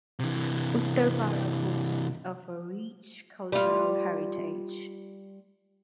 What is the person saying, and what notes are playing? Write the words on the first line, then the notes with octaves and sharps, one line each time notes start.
Uttarpara boasts of a rich cultural heritage.
C3 E3
G3 F4